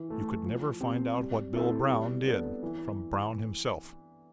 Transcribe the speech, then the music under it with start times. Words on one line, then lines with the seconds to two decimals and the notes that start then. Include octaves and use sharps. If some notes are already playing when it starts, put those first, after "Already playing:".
You could never find out what Bill Brown did from Brown himself.
Already playing: E3
0.09 A3 E4
0.45 F3
0.81 C4 G4
1.17 G3
1.54 C4 E4 A4 E5
1.89 G3
2.26 B3 D4 A4
2.63 E3